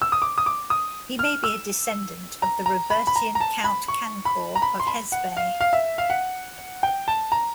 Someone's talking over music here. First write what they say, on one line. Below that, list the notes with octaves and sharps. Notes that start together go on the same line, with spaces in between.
He may be a descendant of the Robertian count Cancor of Hesbaye.
E6
D#6
D6
D#6
D6
D#6
F6
E6
A#5
A#5
B5
B5
A#5
A#5
A5
B5
C#6
B5
A#5
B5
C6
B5
F#5
F5
F5
E5
F5
F#5
G5
A5
A#5